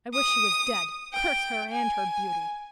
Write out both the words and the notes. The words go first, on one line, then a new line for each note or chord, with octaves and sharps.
"I wish she was dead! Curse her and her beauty!"
D#6
G5
G#5